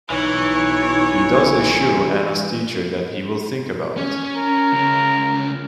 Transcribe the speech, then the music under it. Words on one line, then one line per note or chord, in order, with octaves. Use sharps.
He does assure Ana's teacher that he will think about it.
B1 E3 D#4 C#5
C#4
A#4
C#2 C#4